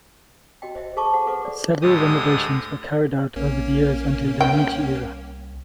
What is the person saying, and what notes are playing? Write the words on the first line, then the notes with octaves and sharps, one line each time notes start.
Several renovations were carried out over the years until the Meiji era.
F#4 D#5 G5
C5 D#5 E5
G#4 A4 C5 A5 C#6 D6
C5 F#5
G#4 A4 B4 D6
D5
D2 A2 G#3 G4 D#6
A#1 A#3 C#4
A#2
C2 G5